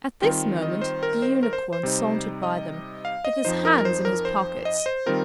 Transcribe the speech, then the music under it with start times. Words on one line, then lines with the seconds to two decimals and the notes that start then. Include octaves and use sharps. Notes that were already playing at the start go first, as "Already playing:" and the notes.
At this moment the Unicorn sauntered by them, with his hands in his pockets.
0.22 D#3 G3 C4 F4 G5
0.62 D#5
0.82 C5
1.03 A#4
1.22 C5
1.43 A#4
1.53 C5
1.73 C5
1.83 C3 G3 D#4
2.43 D#5
3.05 F5
3.25 D#5
3.45 F2 F3 D#4 C5
3.65 A#4
3.78 A#4
3.85 C5
4.05 A#4
4.25 C5
4.65 D#5
4.86 C5
5.06 D#3 G3 C4 F4 A#4